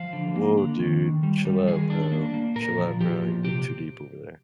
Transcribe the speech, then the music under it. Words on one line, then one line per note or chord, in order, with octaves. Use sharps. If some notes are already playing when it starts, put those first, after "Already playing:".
Whoa, dude. Chill out bro, chill out bro, you're getting too deep over there.
Already playing: F3 F5
D3
A#3
D3
D#3
D#3
G3
G3
D#3 G#4
D4
A#3
A#3
A#2 A#4
F3
F3 G4
A#2
C3 G4